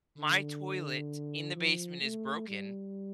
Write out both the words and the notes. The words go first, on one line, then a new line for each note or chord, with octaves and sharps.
my toilet in the basement is broken,
D3
F3
A3
G3